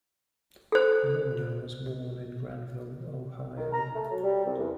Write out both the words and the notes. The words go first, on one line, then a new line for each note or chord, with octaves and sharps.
Warner was born in Granville, Ohio.
A4 C5
D#3
A#5
A3
F#3
G3
C2
E2